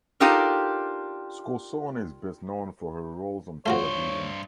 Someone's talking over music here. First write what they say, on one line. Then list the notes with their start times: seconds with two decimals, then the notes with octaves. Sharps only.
Scorsone is best known for her roles on television.
0.20 D4 D#4 F4 G4 A4 A#4
3.66 G2 A3 F4 F#4 C5 C#5